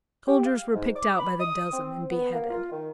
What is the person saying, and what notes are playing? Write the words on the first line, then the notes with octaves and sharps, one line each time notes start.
Soldiers were picked out by the dozen and beheaded.
G4
F5
G#2
D6
B5
D#6
C4
B3
A#3
F4
D#3